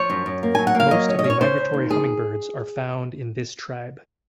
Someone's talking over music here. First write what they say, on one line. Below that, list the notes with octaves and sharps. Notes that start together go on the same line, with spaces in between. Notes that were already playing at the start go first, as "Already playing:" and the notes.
Most of the migratory hummingbirds are found in this tribe.
Already playing: F3 C#5
F#2
F#2
A#3
F#3 G#5
F#5
A#3 F5
F#3 D#5
C#4
D#5
C#4
C#5
C#3 C5
C#3
D#2
F3 G#4